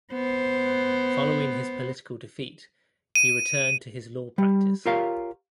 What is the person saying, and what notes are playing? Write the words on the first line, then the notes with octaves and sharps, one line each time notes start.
Following his political defeat, he returned to his law practice.
B3 C5
D#7
G3
F4 G4 A#4 C#5 F5